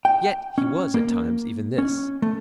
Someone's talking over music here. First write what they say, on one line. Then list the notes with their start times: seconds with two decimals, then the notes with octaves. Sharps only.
Yet he was at times even this.
0.05 G5
0.58 C#4
0.94 A#3
1.78 C#4
2.22 A3